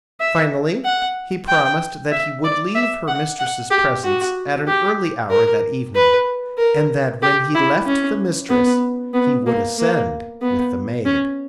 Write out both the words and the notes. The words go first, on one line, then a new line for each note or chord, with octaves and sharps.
Finally he promised that he would leave her mistress's presence at an early hour that evening, and that when he left the mistress he would ascend with the maid.
E5
F#5
G5
E5
D5
E5
F#5
F#5
G4
F#4
G4
A#4
B4
A#4
G4
E4
C#4
B3
B3
A#3
A#3
B3
C#4